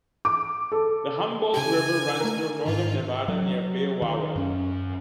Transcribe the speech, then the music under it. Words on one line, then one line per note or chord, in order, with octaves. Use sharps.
The Humboldt River runs through northern Nevada near Beowawe.
D6
A4
C#3 G4 G#5
A3 A#4
G#2 D#3 F4
F#3
D#3
F#2 C#4